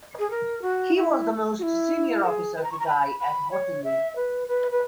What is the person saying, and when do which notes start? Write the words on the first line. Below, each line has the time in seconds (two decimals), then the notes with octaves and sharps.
He was the most senior officer to die at Waterloo.
0.19 G#4
0.30 A#4
0.62 F#4
0.95 E4
1.59 F#4
1.63 E4
2.23 A#4
2.27 G#4
2.56 B4
2.64 A#5
2.72 C#6
2.79 A#5
2.87 B5
3.20 B5
3.51 C#5
3.84 E5
4.16 B4
4.48 B4
4.71 B4